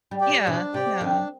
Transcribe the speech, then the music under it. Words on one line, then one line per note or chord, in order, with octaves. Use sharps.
Yeah, yeah.
G3
G4 D5 G5
G3
B2 D4
C3 G4 D5 G5
D#3 D4